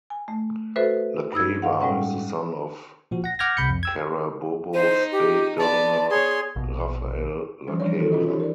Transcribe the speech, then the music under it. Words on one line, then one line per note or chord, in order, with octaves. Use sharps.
Lacava is the son of Carabobo state governor Rafael Lacava.
G#5
A3
F#4 A4 B4 C5 E5
G2 D#4 E6 G#6
D#5 F5 F#5
A2 G3 G#3 C#4 F#5
A#2 F3 F#4
F#5 A#6
F#5 D6 F6 G6 G#6 A#6
C2 C3 B5 G6 C#7
F2
G5 E6 G#6
D#4 C5
G4
B3 D5 A5
G#4 C#5 C6
A#1 B2
E3 F3 G3 C#4
F3 G3 D4 C#5
D#3 E3 F#4 A4 A#4
C#4 F4 F#4 D#5
E3 D#4 G4 C#5
A#4 D5